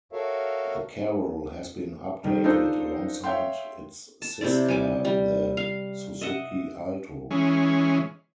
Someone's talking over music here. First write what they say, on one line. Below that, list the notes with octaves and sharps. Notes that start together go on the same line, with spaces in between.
The Carol has been updated alongside its sister, the Suzuki Alto.
F#4 A4 A#4 C#5 E5 F5
D#3 G3
D4 D#4 F4 A4 C5
C#5 E5 F5 G5 C6
A5
C3 C4 E4 D5
G3 G#5 D6
G3
F5
D#5 E5 F#5
E3 G#3 C#4